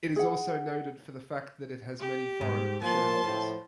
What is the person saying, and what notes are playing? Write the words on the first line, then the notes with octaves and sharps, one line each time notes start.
It is also noted for the fact that it has many foreign shareholders.
G#4 F#5
G4
G#2
E3 F3 A#3 A5 C6
A2 F3 B3